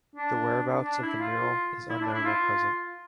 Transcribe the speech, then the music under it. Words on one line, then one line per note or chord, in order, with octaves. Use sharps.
The whereabouts of the mural is unknown at present.
D4
D4
E4
F4
E4
D4
E4
F4